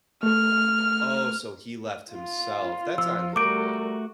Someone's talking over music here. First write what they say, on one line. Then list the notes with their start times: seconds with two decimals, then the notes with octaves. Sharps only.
Oh, so he left himself, that's on him, then.
0.23 A3 A4 F6
2.12 F4
2.98 F3 E6
3.36 G3 A3 F#4 A#4 D6 G6 D7